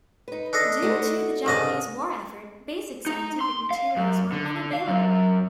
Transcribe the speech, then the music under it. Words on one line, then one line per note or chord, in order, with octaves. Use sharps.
Due to the Japanese war effort, basic scientific materials were unavailable.
D#4 B4
D4 A4 D#5
A3 D#4 F#4
C2 G2 C#3 G#4 D#5 A5
D#4
C6
F5
F#2
D3
F5
F#2